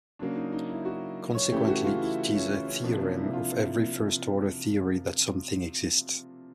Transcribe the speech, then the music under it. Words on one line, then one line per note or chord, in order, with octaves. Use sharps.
Consequently, it is a theorem of every first-order theory that something exists.
C#3 F#3 A#3 D4
D#4
D#4
E4
F#4
C#5
C#3 E3 A3 G4
F#4
F4
E4
C#4
C#4
C3 F3 A#3 D4
E4
F4
E4